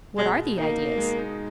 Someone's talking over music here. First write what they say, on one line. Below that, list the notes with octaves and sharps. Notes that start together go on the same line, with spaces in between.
What are the ideas?'
B2 G#3
B2
A#3 D#4
D#4
G#3
D#4